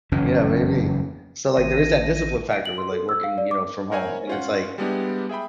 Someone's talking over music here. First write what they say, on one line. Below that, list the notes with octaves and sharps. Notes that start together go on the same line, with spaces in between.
Yeah, maybe. So, like, there is that discipline factor with, like, working, you know, from home, and it's, like
F#1 F2 E3 C#4
A1 D#3
D7
F#7
C6
A4
E6
F5
D5
D6
A#4 C5 C#5 E5 F#5 G#5
C#4 F4 F#5
G3 G#3 B3 D4 E4 G4
G#4 E5 G5 B5